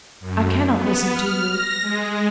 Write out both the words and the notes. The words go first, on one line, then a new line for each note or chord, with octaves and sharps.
I cannot listen to you.
F#2
B3
F6
A#6
G#3